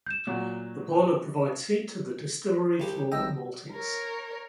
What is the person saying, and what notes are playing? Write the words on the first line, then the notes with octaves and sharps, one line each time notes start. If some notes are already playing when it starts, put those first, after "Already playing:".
The boiler provides heat to the distillery floor maltings.
G6 E7
A#2 F#3
C2 G4
G#1 D#5 G5 E6
A#4 C#5